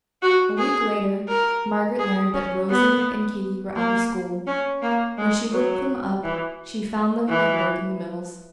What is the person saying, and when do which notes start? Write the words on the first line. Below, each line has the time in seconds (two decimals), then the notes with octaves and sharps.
A week later Margaret learned that Rosy and Katy were out of school. When she looked them up she found them at work in the mills.
0.22 F#4
0.58 G#4
1.28 A#4
1.99 G#4
2.34 C#4
2.70 B3
3.76 A#3
4.47 C#4
4.82 A#3
5.17 G#3
5.52 F#3
6.23 E3
7.29 E3